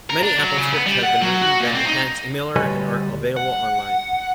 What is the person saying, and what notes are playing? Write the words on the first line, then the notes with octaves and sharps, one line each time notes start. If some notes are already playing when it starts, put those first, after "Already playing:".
Many AppleScripts have been written that enhance Emailer and are available online.
A#4
D4
F#3
C#3
B3
G3
F#5
F#3
F#4
A#2
C4
D#4
D2 G3 B4 C#5 D#5 G#5
F#5